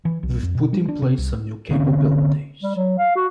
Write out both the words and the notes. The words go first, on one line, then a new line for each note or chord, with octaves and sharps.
We’ve put in place some new capabilities.
E3
B1
F2
B2
G3
D4
C3
C2
D3 A#3 C4 C#4
G3
F#3
F5
F#4